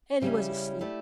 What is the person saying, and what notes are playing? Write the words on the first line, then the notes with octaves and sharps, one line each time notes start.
Elly was asleep.
C#3 G3 C#4 E4
A3 E4 G4 D5